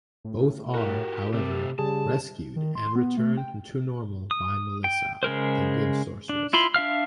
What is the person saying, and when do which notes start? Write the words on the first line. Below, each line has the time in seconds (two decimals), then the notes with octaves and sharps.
Both are, however, rescued and returned to normal by Melissa, the good sorceress.
0.25 A2
0.75 F#4 G4 A#4
1.33 C3 A3 G4
1.79 C#3 G3 G#4 A5
2.56 D#3
2.75 C6
2.96 B3
3.17 A3
3.37 G5
4.31 D#6
4.84 G5
5.23 C#3 G#3 A#4 C5
6.29 D4
6.53 E4 F4 B5 C6
6.74 D4 E5 F5 F6